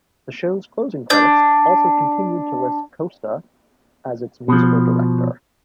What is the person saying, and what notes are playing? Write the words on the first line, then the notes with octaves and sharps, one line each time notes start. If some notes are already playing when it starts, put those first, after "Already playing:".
The show's closing credits also continued to list Costa as its Musical Director.
D4 G6
B2 F3